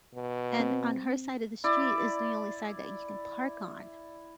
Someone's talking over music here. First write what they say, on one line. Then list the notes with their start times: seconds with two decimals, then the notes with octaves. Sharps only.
And on her side of the street is the only side that you can park on
0.15 B2
0.60 C4
1.64 E4 D5